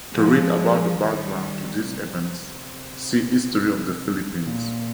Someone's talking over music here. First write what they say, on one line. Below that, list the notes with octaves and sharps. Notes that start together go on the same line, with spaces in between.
To read about the background to these events, see History of the Philippines.
F3 G#3
D#3 G3
C3
A#2